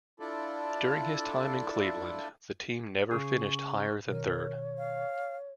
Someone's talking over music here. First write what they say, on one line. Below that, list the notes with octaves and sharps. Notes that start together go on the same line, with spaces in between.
During his time in Cleveland, the team never finished higher than third.
D4 E4 F4 A4 D5
C#3 G#4 C#6
B2 D#3 A#4 C#5
F5